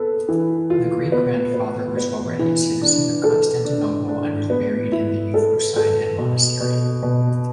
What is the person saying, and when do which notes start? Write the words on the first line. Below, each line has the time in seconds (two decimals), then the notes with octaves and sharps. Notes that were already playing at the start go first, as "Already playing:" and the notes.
The great grandfather was already a citizen of Constantinople and was buried in the Euphrosyne monastery.
Already playing: B3 A4
0.29 E3
0.70 F4
1.12 B3
1.54 B3
1.97 B3
2.39 E3
2.81 D4
3.24 A4
3.65 D4
4.08 D4
4.50 B3
4.92 E4
5.34 A4
5.76 A4
6.18 B2
6.61 B2
7.03 B2